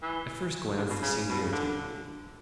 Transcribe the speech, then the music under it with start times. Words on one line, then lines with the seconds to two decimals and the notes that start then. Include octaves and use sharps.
At first glance the scene irritated me.
0.02 E3
0.77 D3
0.90 B2
1.02 C#3
1.30 B2
1.41 C#3
1.52 D3